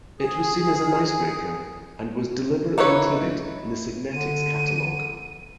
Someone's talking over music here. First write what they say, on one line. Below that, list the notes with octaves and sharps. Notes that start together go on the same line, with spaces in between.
It was seen as "an icebreaker" and was deliberately included in the Signetics catalog.
G#4
D#4 E4 B4 C#5
D3 D#7